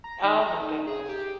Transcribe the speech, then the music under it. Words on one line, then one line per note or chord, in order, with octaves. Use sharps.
Oh, my goodness.
A#5
D#3
A#5
D#4
G#4
G4